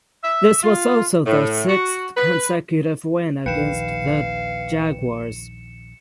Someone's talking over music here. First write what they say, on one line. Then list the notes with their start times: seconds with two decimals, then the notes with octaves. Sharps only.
This was also their sixth consecutive win against the Jaguars.
0.24 E5
0.63 F4
1.26 A2
1.68 F#4
2.17 B4
3.46 A#1 D#2 D#3 B4 F5 G5 C#7 E7